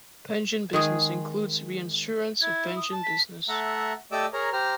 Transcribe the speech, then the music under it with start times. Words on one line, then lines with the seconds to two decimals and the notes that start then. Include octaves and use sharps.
Pension business includes reinsurance of pension business.
0.73 D#3 G#3 G#4
2.41 E4 G#6
2.77 D#6
2.92 A5
3.04 B6
3.49 A3 E5 F#5 A#5
4.12 A3 G4 D5 D#5 D6 E6
4.33 G#4 A#4 C#5 A#5
4.53 G4 C5 A#5 F6